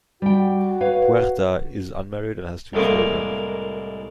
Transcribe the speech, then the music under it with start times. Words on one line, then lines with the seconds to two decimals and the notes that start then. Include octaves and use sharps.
Puerta is unmarried and has two children.
0.22 G3 F#4 G5
0.81 B4 C#5 F5
2.73 C2 A2 G#3 A#3 A#4